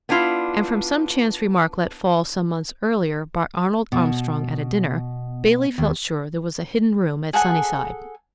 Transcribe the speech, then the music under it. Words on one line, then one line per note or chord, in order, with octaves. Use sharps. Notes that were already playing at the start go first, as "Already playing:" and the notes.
And from some chance remark let fall some months earlier by Arnold Armstrong at a dinner, Bailey felt sure there was a hidden room at Sunnyside.
B3 D4 E4 F4
B2
D#2
G#4 A4 F#5 G#5